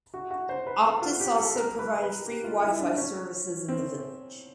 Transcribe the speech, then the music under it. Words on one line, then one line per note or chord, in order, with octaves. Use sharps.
Optus also provided free Wifi services in the village.
F#4
F#4
C5
B4
A4
F4
G4
A4
A#4
B4
B4
G4
F4
E4
D4
C#4
C4